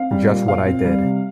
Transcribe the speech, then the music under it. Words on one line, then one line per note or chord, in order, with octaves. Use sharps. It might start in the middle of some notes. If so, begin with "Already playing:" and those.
Just what I did.
Already playing: C4 F5
G3
A#2
A#2 F5
C4
G3
C3